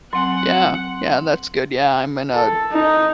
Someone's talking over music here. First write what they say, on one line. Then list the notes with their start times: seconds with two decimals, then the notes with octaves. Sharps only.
Yeah, yeah, that's good yeah, I'm in a
0.13 F#3 C4 F#5 G#5 C6
2.34 A4
2.72 D#4